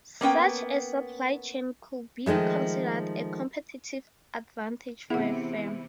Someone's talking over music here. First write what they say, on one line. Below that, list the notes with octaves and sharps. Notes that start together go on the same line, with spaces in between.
Such a supply chain could be considered a competitive advantage for a firm.
A#3 B3 C#4 G5
D#3 F3 G#3 A3
C3 E3 B3 E4 G#4 F#5